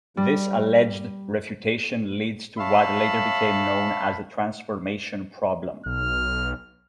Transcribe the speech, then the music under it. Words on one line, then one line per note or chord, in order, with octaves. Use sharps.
This alleged refutation leads to what later became known as the transformation problem.
G3
C#5 E5 F5 A5 B5
B1 F6